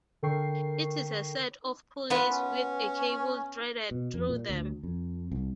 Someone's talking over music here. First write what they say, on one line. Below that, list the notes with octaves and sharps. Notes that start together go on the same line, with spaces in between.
It is a set of pulleys with a cable threaded through them.
D3 A4 A#4 G5 C#6 C7
B3 F4 B4
C#4
B2
F2
A#2
D2
F2
C2